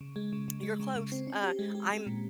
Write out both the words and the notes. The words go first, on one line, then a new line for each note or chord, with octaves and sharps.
You're close. Uh, I'm
C#3
G#3
C#3
C#3
G#3
C#3
C#3
C4
C#4
G4
G#3
G4
G#3
A#2